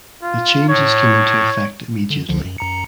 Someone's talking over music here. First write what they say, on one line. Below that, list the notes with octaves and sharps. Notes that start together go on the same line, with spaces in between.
The changes came into effect immediately.
F4
A2 C#5
D3
C#2 D3 F3
F#2
F#2 A#5 C#7